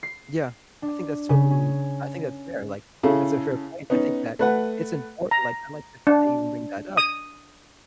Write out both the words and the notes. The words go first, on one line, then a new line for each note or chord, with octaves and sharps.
Yeah, I think that's totally I think that's fair, like, that's a fair point, I think that it's important, like, I like the fact that you even bring that up
C7
D4
C#3
C#4
C#3 C#4 E4 G#4 A4
B3 C#4 D#4
A3 B4 F#5
A#5
D4
D#6